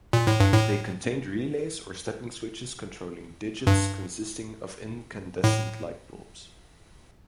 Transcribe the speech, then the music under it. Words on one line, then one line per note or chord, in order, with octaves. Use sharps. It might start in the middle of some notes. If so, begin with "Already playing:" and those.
They contained relays or stepping switches controlling digits consisting of incandescent light bulbs.
A#2
A2
G2
A2
G2
A2